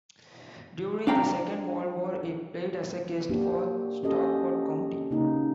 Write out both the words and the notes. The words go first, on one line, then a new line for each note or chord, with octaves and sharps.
During the Second World War, he played as a guest for Stockport County.
D4 F5 G5 A#5
A#3 D4 F#4 G4
C#4 F#4 G4 A4 D#5
C#3 A#3 D#4